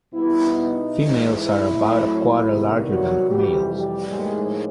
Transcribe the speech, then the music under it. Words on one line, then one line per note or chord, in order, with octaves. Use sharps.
Females are about a quarter larger than males.
B2 G3 B3 E4
D#4
G#2 E3 G#3
E4
A2 F#3 A3 C4
C3 D#3 G3 B3
F#3 F#4
F2 C3 E3 G3 G4
G3 G4
A2 F3 G#3 A#3 D#4 G#4